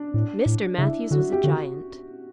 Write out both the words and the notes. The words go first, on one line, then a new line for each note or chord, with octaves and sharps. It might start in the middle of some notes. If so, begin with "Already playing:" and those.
Mr. Matthews was a giant.
Already playing: D4
A2
A2
C#3 E4
D3 F#4
G4
D3 F#4